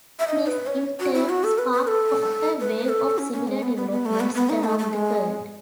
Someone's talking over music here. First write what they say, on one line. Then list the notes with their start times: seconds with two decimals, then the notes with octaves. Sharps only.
This, in turn, sparked off a wave of similar developments around the world.
0.19 E5
0.28 D#5
0.47 B4
0.67 C#5
1.00 F#4
1.14 E4
1.29 F#4
1.44 A4
1.58 B4
1.73 B4
1.87 A4
2.60 B4
2.89 A4
3.18 C#4
3.33 C#4
3.48 G#3
3.62 B3
3.76 B3
3.91 B3
4.06 A3
4.20 B3
4.35 B3
4.49 D#4
4.64 A3
4.79 A3
4.93 G#3